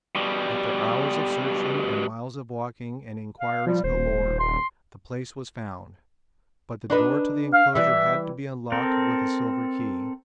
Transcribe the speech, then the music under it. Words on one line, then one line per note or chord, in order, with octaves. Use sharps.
After hours of searching and miles of walking and inquiries galore, the place was found, but the door to the enclosure had to be unlocked with a silver key.
B2 G3
F5
F3 G3
D#1 C5
C6
D4 D#4 B4
F5
E3 G3 E5
C4 A4 A#4